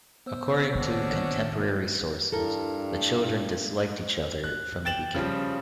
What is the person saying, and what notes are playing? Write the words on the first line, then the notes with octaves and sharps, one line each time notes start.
According to contemporary sources, the children disliked each other from the beginning.
B3 C5 E6
D#3 A#3 C#4 D4 F#4
G2 E4 A4 A#4
F#6
G5 A6 E7 F#7
C#3 F3 G3